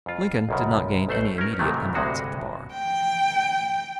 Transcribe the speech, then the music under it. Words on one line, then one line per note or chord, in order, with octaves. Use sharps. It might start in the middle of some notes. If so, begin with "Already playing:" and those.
Lincoln did not gain any immediate eminence at the bar.
F2 F4
B1 F#2 C#3
A1 A3 C5 F#5
C#4 A#4
G#2 C3 D#3 E3 F#3 A3
D2 G2 C3 G#3 F#4 G#4
G5